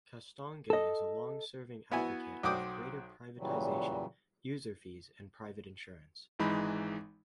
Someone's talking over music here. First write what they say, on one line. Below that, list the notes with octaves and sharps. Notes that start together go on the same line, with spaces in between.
Castonguay is a long-serving advocate of greater privatization, user fees and private insurance.
A4 D#5
B3 E4 F#4 G#5
B1 F#4 C5 G5 D6 D#6
A#2 C#3 E3 F#3 G3
G#1 E3 G#3 D#4 B5